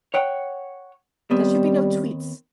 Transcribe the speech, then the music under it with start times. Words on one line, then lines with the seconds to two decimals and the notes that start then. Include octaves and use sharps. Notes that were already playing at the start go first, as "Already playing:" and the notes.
There should be no tweets.
0.14 C#5 F#5 G5
1.31 D#2 G3 B3 C4